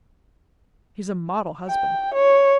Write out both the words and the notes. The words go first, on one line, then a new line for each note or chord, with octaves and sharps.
He's a model husband.
G5
C#5